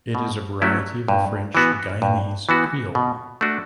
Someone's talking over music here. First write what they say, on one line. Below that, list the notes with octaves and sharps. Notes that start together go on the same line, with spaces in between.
It is a variety of the French Guianese Creole.
B2
F#3 A3 C#4 E4
G2
E3 B3 F#4
G2
E3 B3 F#4
B2
A3 D4 F#4